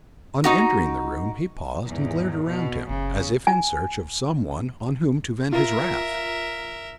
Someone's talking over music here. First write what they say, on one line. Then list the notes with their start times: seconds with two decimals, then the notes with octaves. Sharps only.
On entering the room, he paused and glared around him, as if in search of some one on whom to vent his wrath.
0.44 D#4 F#4 A#5
1.85 E2 G#2
2.45 B2
2.89 F#1 C#3
3.47 G#5
5.52 F4 A#4 E5